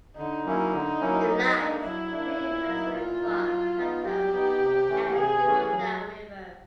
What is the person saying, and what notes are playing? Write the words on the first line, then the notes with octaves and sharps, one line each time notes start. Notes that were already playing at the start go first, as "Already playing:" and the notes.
It lies between Hazaribagh Plateau and the Damodar River.
D3 D#4
F#3 A#3 C#4 E4
D3
F#3 A#3 C#4 E4
F#3
A#3 D4
F#3 E4
A#3 D4
A#2
F#3 A#3 D#4
A#2 F4
F#3 A#3 D#4
F#3
B3 D#4
F#3 G4
B3 D#4
C3
E3 A3 C#4
C3 G#4
E3 A3 C#4
F#3